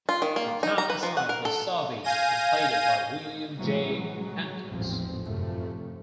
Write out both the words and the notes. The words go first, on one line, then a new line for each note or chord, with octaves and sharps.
The town site was surveyed and platted by William J. Hankins.
F4
D#3
A#3
D#4
A#5
B4
F3
F#5
A#4
A4
F5 G#5 G6 A#6 D#7
A2 C3 E3 F#3 G#3 A3
F#3 G#3
A1 E2 G#2 F3 C4
F1 F#2 C3 F3 A3